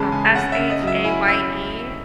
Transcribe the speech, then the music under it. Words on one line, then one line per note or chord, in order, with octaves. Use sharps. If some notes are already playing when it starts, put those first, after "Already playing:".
Um, S-H-A-Y-E,
Already playing: C#3 E3 G#3 C#4 A5 B5
C#3 G#5
C#4 F#5
E5
C#3
D#5
F#3
E5
E4 G#5
C#4 E6